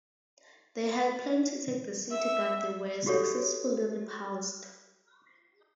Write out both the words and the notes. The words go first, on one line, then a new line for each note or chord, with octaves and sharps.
They had planned to take the city but they were successfully repulsed.
E5
F#4 G4 A4 C#5